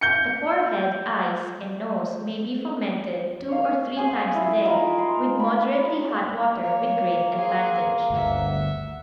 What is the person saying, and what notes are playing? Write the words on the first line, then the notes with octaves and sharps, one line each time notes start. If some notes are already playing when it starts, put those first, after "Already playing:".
The forehead, eyes, and nose may be fomented two or three times a day with moderately hot water with great advantage.
G6 C#7
C#5 F5
G#4 C5 G#5
E4
D#4 F4 A#4 B5
C6
B5
A#3 C#5
G#4 C6
G1 D2 E5 F#5